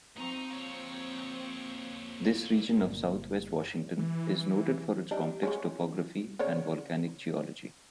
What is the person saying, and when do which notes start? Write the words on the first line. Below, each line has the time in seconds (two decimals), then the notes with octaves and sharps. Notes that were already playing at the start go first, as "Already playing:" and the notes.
This region of Southwest Washington is noted for its complex topography and volcanic geology.
0.17 F3 C4 D#4 A#5 C#6
0.50 A#3 C#5
2.77 G1 A#2
3.99 E3
5.11 G3 D4 D#4
5.43 F#3 G#3 C#4
6.39 C#3 C#5 D5